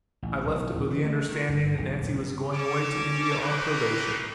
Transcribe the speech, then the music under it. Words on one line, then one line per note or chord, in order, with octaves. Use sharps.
I left it with the understanding that Nancy was going away to India on probation.
A1
B1
D1
E3
A3
D#3
G1
B1
D#1
G2
C#4 C#5 A5 D6
A3 A#3 C#4 D#4 G4 B4